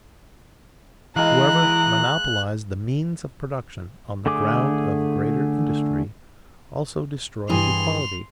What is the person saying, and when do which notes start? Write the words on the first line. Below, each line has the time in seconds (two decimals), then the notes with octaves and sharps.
Whoever monopolized the means of production on the ground of greater industry, also destroyed equality.
1.16 E3 G#3 F5 A#5 F#6
4.26 D3 A3 G#4 D6
7.49 G2 E3 G#4 C6 F7